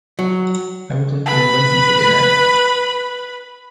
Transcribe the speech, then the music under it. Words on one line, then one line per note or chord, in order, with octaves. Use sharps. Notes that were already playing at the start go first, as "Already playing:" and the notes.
I would like to invite you for dinner.
F#3
B4 B5